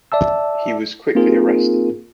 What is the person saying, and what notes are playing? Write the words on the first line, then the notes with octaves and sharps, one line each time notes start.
He was quickly arrested.
D5 E5 A5 E6
A#3 C4 D#4 F4 G#4 A#4